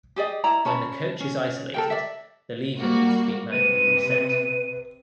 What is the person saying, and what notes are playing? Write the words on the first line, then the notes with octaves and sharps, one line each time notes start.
When the coach is isolated, the lever needs to be manually reset.
G4 G#4 D5 D#5
E4 D5 A#5
C#4 C#5 A5 B5
C#4
A4 A#4 G5
D5 E5
G3 A#3 F#4
C3 B4 D#7